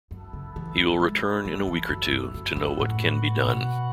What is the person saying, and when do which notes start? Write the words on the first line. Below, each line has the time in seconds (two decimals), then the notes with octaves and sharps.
He will return in a week or two, to know what can be done.
0.11 F#2 B3 E4 A4
0.33 C#3
0.56 E3
0.78 F#3
1.00 G#3
1.45 F#3
1.67 E3
1.90 F#2
2.12 F#2
2.34 F#2
2.56 F#2
2.79 A2 F#4 B4 F#5
3.46 B2